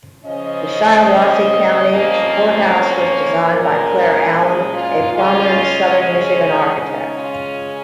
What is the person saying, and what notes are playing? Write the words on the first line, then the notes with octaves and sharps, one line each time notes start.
The Shiawassee County Courthouse was designed by Claire Allen, a prominent southern Michigan architect.
C#3 F3 C#4 D#5
F2 F3 A#3 C#4
C#5
A#2 G#3 C#4 A#4
G#4
F4
C#3 G#3 C#4 F4
F4
C#3 G#3 C#4 D#4
F4